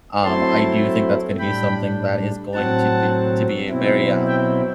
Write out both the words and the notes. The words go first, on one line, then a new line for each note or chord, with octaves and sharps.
Um, I do think that's gonna be something that is going to be to be a very, um
F#3 A3 C4 E4 A5 C6
A2 G3 D4 G5 B5
A2 F#3 C4 F#5 A5
B2 F#3 C4 E4
E5 G5